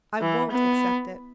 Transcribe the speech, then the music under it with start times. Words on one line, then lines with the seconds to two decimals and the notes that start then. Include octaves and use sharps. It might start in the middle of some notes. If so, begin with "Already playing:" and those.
I won't accept it.
0.21 E3
0.51 B3